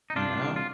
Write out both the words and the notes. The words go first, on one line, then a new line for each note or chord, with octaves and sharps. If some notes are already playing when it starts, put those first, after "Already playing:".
you know?
D#4
C2 D4 F4
C2
F4